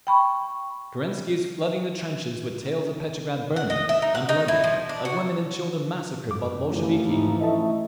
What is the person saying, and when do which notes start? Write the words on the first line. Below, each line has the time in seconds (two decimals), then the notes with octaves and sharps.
Kerensky is flooding the trenches with tales of Petrograd burning and bloody, of women and children massacred by the Bolsheviki.
0.07 G5 B5 C#6
3.56 F#5
3.70 D#5
3.89 E5
4.02 D#4
4.15 F#5
4.29 D#4
4.48 E4
4.64 F3
4.89 D4
5.05 F#4
6.28 F#2 D6
6.70 A1 E3 F3
7.06 G#2 D#4
7.41 A2 A3 D#5 E5 A5